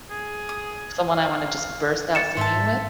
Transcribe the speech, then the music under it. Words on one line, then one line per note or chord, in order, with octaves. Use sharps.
someone I wanna just burst out singing with.
G#4
D#6
F5
A6 C#7 E7
G#2 C5 E5 A5